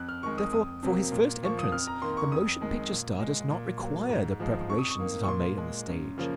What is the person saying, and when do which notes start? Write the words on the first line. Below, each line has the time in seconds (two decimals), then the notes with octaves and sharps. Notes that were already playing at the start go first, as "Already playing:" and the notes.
Therefore, for his first entrance the motion picture star does not require the preparations that are made on the stage.
Already playing: F2 F#6
0.09 F6
0.23 D#3 G#3 C#6
0.38 D#6
0.53 F2 D#6
0.83 C3 F#3 A#3
1.12 A#2
1.43 F3 A#3 C#6
1.59 D#6
1.71 F2 F6
1.87 A#5
2.02 D#3 A#3 C6
2.17 C#6
2.32 F2 D#6
2.61 D#3 G#3
2.91 A#2
3.20 G#3
3.51 A#2
3.79 F#3 A#3
4.09 G#2
4.40 F3 G#3
4.70 F2 C#6
4.79 D#6
4.90 C#6
4.98 D#3 A#3
5.24 C#6
5.28 A#2 C6
5.58 G#3
5.88 F#2
6.18 C#3 F3 A#3